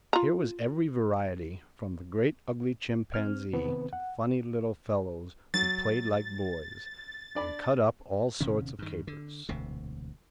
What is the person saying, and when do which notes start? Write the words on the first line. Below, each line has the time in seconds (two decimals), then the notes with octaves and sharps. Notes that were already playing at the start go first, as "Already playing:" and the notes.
Here was every variety, from the great ugly chimpanzee to the funny little fellows who played like boys, and cut up all sorts of capers.
0.13 F4 A#5
3.14 C4 F6
3.53 C3 D#3 B3 C4 B4
3.93 F#5
5.54 F#3 A6
7.35 D4 D5 B5
8.41 D#1 C3 D#3 C#4
8.79 G2 D#3
9.07 D3
9.49 E1 D2 C3